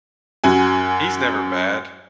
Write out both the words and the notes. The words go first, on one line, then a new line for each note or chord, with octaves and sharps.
He's never bad,
F#2 F#4 G#5